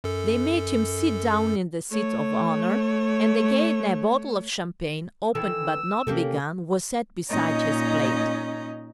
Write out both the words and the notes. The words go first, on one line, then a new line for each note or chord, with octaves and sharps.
They made him sit down in the seat of honour, and again a bottle of champagne, opened but not begun, was set beside his plate.
F#2 A4
A3 C#5
D#3 E3 A4 E6
C3 A#3 C#4 G4 A4
A#2 C#4 D#4 D#5 A#5